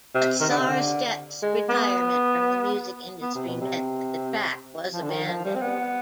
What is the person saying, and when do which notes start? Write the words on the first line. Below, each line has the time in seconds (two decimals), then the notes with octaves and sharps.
But Sarstedt's retirement from the music industry meant that the track was abandoned.
0.14 C3
0.40 D#3
0.50 D3
0.59 C3
0.69 D3
1.43 G#3
1.69 B3
3.22 B3
3.35 C3
3.48 B2
3.61 C3
4.93 F3
5.03 D3
5.10 D#3
5.28 F3
5.45 G3
5.56 C4
5.62 B3